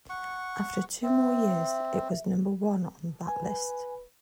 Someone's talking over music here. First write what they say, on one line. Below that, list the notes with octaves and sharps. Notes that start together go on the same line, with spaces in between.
After two more years, it was number one on that list.
F#5 C#6
C4 E5
B4 G#5